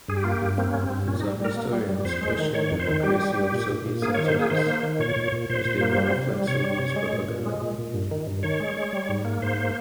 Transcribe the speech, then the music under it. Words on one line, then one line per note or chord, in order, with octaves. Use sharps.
Some historians question the accuracy of Soviet censuses, as they may reflect Soviet propaganda.
G2 G#4
G4
A#3 F4
G4
G2
A#3 C4
G2 C#4
C4
G2
A#2 C#4
G3 D#4
G3 A#4
A#3
G3
G3
F2 C5
G#3
D#3
D#3 C#5
F2
C5
D#3
G3 G4
G3
G3
A#2
A#2
A#2
A#3 G#4
D#3 C#5
C5
A#3 G#4
D#3 C5
A#3
D#3
A#2 C#5
A#2
A#2
A#2 C5
A#2
A#3
G3
C3
G3
C3 C#5
G3
C3
G#3
A#2
A#2
G#3
A#2
A#2
G2
D#3
G2
D#3 C#5
G#3
G#3
G3
G#2
A#3
G#2 C5
A#3